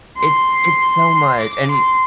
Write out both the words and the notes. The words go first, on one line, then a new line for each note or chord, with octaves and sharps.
It's it's so much, and,
C6
D6
C6